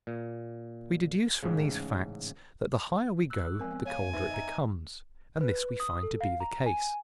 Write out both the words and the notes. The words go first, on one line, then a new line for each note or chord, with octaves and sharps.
We deduce from these facts that the higher we go the colder it becomes; and this we find to be the case.
A#2
A1 G#2 C#3
E6 F#6
A#1 F3 G#3 C4 A#4 G#5
B3
C#5 F5 G#5
F2 D#4 B4 C5 E5
D#5 A#5
B4
D#6
A4
F5
A#5
G#5